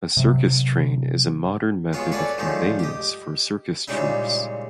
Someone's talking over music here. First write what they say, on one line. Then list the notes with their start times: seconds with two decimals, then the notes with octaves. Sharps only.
A circus train is a modern method of conveyance for circus troupes.
0.17 C3 F#3
1.93 G#3 B3 F4 F#4 C#5
2.12 A4 B4 C#5 D5 F#5 G#5
2.38 D3 D#3 F3 F#3 G#3 A3
2.79 G4 D#5
3.88 A#2 C#3 G3 G#3 D#4 E4